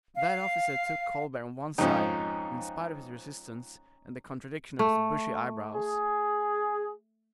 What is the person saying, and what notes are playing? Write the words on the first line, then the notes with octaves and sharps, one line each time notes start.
That officer took Colbert on one side, in spite of his resistance and the contradiction of his bushy eyebrows.
F5
F2 G#2 F3 C#4 D#4
A3
G#4